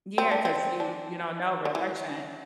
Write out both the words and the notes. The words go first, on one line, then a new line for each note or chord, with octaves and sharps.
Yeah, 'cause you you don't know, rejection.
C4
D4
C4
D4
D3
E3